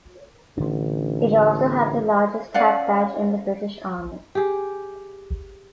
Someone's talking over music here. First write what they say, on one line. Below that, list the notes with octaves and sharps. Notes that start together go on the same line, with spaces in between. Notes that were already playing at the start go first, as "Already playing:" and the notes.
It also had the largest cap badge in the British Army.
A1 D3 D4
C#4 D5 F5 F#5
G4 G#4